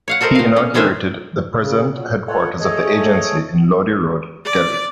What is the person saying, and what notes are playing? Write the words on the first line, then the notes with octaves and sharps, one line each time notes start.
He inaugurated the present headquarters of the agency in Lodhi Road, Delhi.
C#5 F5 F#5
F#4 A4 A#4 C5 D#5
C4 F5
C#4
D3 D#3 C4 C#4 G#4 E5
C#3
A#2 F#3
F4 A4 C#5 F#5
A3 G#4 A4 C#5 D#5
D5